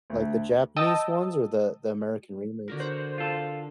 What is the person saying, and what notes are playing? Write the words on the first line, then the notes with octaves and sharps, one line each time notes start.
Like, the Japanese ones or the the American remakes?
D2
D#5 G5 A5 D#6 E6
D3 F#4 A#4
C5 F#5
F4 A4